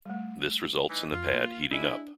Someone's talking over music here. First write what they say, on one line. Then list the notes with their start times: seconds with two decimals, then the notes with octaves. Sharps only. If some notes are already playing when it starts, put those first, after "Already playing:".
This results in the pad heating up.
0.06 G3 A3
0.90 E3 D#4
1.12 F2 F4
1.34 A#3
1.71 G#3 D4 E4